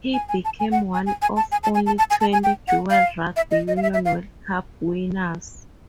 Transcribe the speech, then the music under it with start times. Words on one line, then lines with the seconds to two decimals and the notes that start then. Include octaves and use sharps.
He became one of only twenty dual Rugby Union World Cup winners.
0.14 G#5
0.29 G#5
0.45 A5
0.60 G#5
0.72 F#5
0.94 G#5
1.06 G#5
1.22 G#5
1.37 A5
1.52 G#5
1.63 A5
1.75 G#5
1.86 A5
1.98 A5
2.10 G#5
2.21 A5
2.33 G#5
2.44 G5
2.68 F#5
2.90 F5
3.36 E5
3.51 D#5
3.68 D#5
3.77 F5
3.83 E5
3.94 E5
4.05 F5